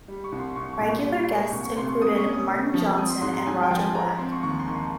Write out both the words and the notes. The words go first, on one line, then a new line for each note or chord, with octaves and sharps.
Regular guests included Martin Johnson and Roger Black.
G3
C#6
C2
C6
C2 C#6
C#6
A#2
C#6
G3
A#3
C2 C#6
C#6
C3 C6
C#6
A#3 D#6
C#6
C#4
D#6
C3
F3
C4 D#6
C6
G#2 C6
A#5
G#2 G#5
G5
F3
G#5
G#3 A#5
C4 C6
C#6
D#2 C#6
C6
D#3
C6